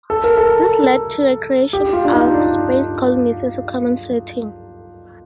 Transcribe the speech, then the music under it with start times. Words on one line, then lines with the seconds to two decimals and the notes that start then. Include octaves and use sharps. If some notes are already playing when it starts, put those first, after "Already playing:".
This led to the creation of space colonies as a common setting.
0.10 A4
0.24 A#4
0.37 A4
1.73 G4
1.93 F4
2.05 D4
2.13 D#4
2.34 D4